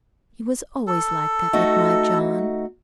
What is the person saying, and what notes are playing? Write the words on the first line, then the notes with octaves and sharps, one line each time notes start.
It was always like that with my John.
A4
A3 D#4 F#4